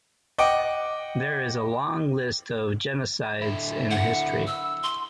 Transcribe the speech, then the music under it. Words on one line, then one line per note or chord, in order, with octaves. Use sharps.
There is a long list of genocides in history.
D#5 F#5 G5 D6
D3 E4
F#5
E6
C6